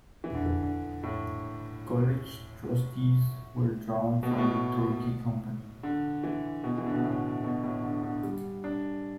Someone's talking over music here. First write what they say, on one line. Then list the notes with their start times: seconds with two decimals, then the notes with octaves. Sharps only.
College trustees were drawn from the Turkey Company.
0.24 E3
0.34 D3
0.46 E3
0.63 D3
1.03 A2
4.23 B2
4.31 A2
4.38 B2
5.83 D3
6.24 E3
6.64 B2
6.78 E3
6.87 D3
6.95 B2
7.04 A2
7.44 B2
7.63 A2
7.83 D3
8.03 D3
8.23 G3
8.64 D4